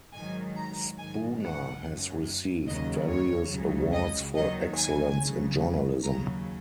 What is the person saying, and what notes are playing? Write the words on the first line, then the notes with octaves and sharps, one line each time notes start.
Spooner has received various awards for excellence in journalism.
G#2 D#3 F#3 G#5
A#5
G#2 D#3 F#3 G#5
F#5
F#2 F#3
D#2 C#3 F#3 D#5
C#5
C#2 C#3 F#3
D#5
D#2 D#3 F#3 D#5
G#5
C#2 C#3 F#3
D#2 C#3 F#3 A#5